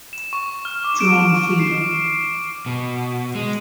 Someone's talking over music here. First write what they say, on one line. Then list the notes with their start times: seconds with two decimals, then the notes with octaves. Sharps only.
John Feaver.
0.13 E7
0.33 C#6
0.65 F6
0.84 D6
1.00 D7
1.35 C#6
1.59 C7
2.66 B2
3.35 G#3